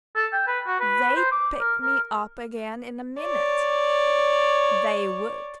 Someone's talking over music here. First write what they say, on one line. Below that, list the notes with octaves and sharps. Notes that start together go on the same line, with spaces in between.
'They'd pick me up again in a minute, THEY would!
A4
G5
B4
F#4
B4
C5
D6
A#4
A#4
C#5 D5